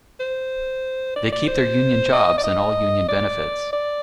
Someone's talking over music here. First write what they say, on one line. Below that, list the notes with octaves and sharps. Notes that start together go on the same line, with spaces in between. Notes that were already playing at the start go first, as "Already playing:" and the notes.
They keep their union jobs and all union benefits.
C5
D5
D5
C5
D#5
D5
D#5
D5
D5